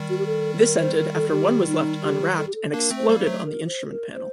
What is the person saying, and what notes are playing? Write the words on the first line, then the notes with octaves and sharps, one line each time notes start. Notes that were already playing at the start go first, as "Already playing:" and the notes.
This ended after one was left unwrapped and exploded on the instrument panel.
Already playing: D#3 G3
F#4
G4
A4
A#4
C5
A#4
A4
G4
D#4
G4
A4
G4
A4
A#3 D4 A#4
A3 C4
C5
G3 A#3
C5
F#3 A3
A#4
C5
A4
A#4
C5